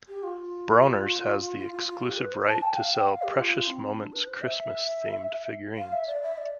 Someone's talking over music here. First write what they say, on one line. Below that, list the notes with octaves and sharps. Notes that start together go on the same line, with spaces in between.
Bronner's has the exclusive right to sell Precious Moments Christmas-themed figurines.
G4
F4
F4
F4
F4
G4
B4
C5
A5
G5
F5
G5
F5
G4
F4
C4
D4
B4
C5
E5
F5
E5
D5
E5
D5